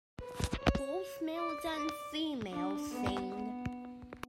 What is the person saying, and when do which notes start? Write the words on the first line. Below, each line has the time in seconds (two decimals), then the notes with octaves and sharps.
Both males and females sing.
0.18 B4
0.57 C#5
1.35 D5
1.74 D5
2.51 D4
2.90 B3
3.29 B3